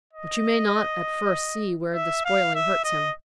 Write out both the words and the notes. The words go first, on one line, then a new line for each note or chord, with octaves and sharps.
But you may not at first see where the spoiling hurts him.
D#5
E5
F5
E5
D#5